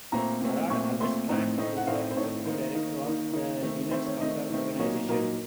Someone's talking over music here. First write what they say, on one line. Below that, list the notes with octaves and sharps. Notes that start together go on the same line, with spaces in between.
Harald Alvestrand is the Executive Director of the "Linux Counter Organization".
A#2 A3 C4 A#5
A#2 A3 C4
A#2 A3 C4 C#6
A#2 A3 C4 C6
A2 A3 C4 D#4 A#5
A2 A3 C4 D#4 D#5
F#5
A2 A3 C4 D#4 F5
C5
A2 A3 C4 D#4 C#5
D#3 A#3 D#4 C5
D#3 A#3 D#4
D#3 A#3 D#4
D#3 A#3 D#4
D#3 A3 C4
D#3 A3 C4 C5
C#5
D#3 A3 C4 D#5
D#3 A3 C4
A#2 F#3 A#3 D#4 C#5
A#2 F#3 A#3 D#4 A#4